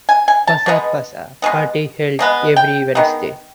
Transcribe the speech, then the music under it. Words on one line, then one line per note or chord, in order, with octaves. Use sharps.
Passa Passa party held every Wednesday.
G#5
G#5
A5
B2 G#3 B3
B2 G#3 B3
B2 G#3 B3
G5
D#3 G#3 B3